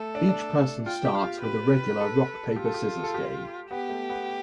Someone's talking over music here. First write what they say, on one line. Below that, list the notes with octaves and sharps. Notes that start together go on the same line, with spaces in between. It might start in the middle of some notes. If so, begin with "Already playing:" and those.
Each person starts with a regular rock-paper-scissors game.
Already playing: A3 A4
D4
D4
F4 G5
G4
F5
F4
G4 B4
A4
F4 G4
A4
G4
A4
G4
B3 G4
A3
B3